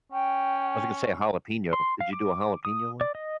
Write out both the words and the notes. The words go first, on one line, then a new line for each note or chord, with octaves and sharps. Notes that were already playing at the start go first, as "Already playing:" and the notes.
I was gonna say, jalapeno did you do a jalapeno one?
C#4 G5
C6
F5
D6
D#6
D5
D#5